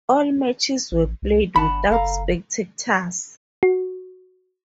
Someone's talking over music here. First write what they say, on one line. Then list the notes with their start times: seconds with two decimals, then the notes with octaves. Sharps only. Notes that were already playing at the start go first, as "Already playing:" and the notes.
All matches were played without spectators.
0.92 A1
1.22 C2
1.56 G1 D4 F#5 A5 B5
1.90 F#1 A4 F5 A#5
3.63 F#4